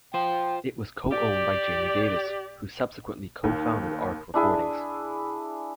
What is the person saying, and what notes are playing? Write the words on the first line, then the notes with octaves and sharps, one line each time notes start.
It was co-owned by Jamie Davis, who subsequently co-founded Ark Recordings.
F4 C5 G5
G4 D5
D#2
D4 E4 G#4